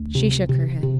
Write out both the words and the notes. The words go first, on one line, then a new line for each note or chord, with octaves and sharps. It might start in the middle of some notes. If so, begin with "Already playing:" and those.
She shook her head.
Already playing: D2
C3
C3
C3